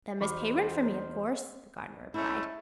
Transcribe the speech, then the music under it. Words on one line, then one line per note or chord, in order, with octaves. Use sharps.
"Them as pay rint for me, a course!" the Gardener replied.
E1 D#4 F#4 G4 C5 B5 D6 F6
G#3 A3 C#4 E4